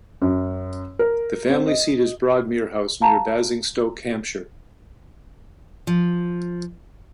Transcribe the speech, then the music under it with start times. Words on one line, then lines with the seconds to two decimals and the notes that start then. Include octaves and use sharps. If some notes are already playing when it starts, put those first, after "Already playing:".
The family seat is Broadmere House, near Basingstoke, Hampshire.
0.22 F#2
0.99 A#4
1.49 C4
1.67 D#5
3.01 F5 A5 A#5
5.87 F3